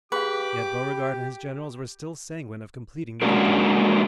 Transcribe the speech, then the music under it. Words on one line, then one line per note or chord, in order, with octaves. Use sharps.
Yet Beauregard and his generals were still sanguine of completing the victory.
G4 G#4 B4 F5 D6
G#3 A#3 C#4 D4 F#4 A#4